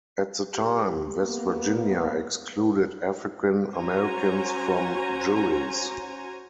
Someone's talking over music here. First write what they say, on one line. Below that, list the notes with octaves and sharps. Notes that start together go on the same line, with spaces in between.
At the time, West Virginia excluded African-Americans from juries.
G4
A#3 B3
B4
C#4 F#4 C5 G#5 A#5